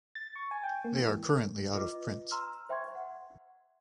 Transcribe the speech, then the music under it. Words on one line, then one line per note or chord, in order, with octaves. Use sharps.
They are currently out of print.
A6
C#6
G#5
G5
A#3
E3
F4 B4 D#5 D6
A#5 C6 E6 F6
C5 E5 G5 C6 C#6 G#6
F#5